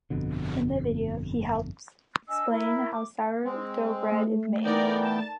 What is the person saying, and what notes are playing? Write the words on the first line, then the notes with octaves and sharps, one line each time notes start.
In the video, he helps explain how sourdough bread is made.
G1 F2 B2 D3
D4 D#5 G#5 E6
E4 A#4 B5
D6
G#3 C4
A3
E3 B3 D#4 A#4 D5 G5
A5